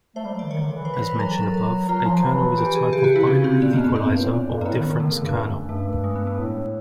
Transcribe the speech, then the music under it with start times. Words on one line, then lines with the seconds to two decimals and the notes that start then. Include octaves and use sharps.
As mentioned above, a kernel is a type of binary equaliser, or difference kernel.
0.16 A3 C5
0.25 G3
0.33 F#3
0.39 D#3 D5
0.50 D#3 C#5
0.62 D3
0.74 E3
0.85 C5
0.94 B4
1.02 A#4
1.11 B4
1.19 F#3 A#4
1.32 A4
1.43 A#4
1.54 A#4
1.88 F#3 F4
2.06 F3
2.23 E3
2.58 G4
2.75 G#4
2.92 C#3 G4
3.02 C3 F#4
3.12 C#3 E4
3.27 C#4
3.44 C4
3.62 A#2 B3
3.73 B2 A#3
3.84 F2 B3
3.96 F#2 C4
4.07 G2
4.20 A2
4.31 A#2
4.48 F2
4.57 G2
4.61 A#3
4.65 A2 B3
4.77 D#3
4.88 D#3
5.00 D3 A3
5.12 C#3
5.23 G2
5.34 F#2
5.69 G2 A3
6.04 G#3
6.15 B3
6.27 A3
6.39 A2